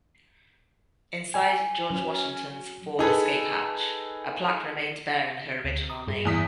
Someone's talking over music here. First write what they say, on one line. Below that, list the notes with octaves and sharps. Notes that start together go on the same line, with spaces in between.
Inside "George Washington"'s forward escape hatch, a plaque remained bearing her original name.
G#5
F#3 C#4
D#4 G#4 A4 B4
D2
A#5 D#6
G2 G#4
E2 D#6 B6